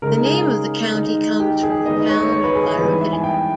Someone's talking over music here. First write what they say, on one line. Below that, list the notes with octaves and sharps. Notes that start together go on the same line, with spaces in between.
The name of the county comes from the town of Virovitica.
C#3 G#3 D#4 A#4
G#4
D#3 G#3 D#4
G4
G#4
D#3 G#3 B3 D#4 D#5
C#5
C#5
B4
G#4
G#4
G#2 E3 G3 B3 B4
E5
G#5
G5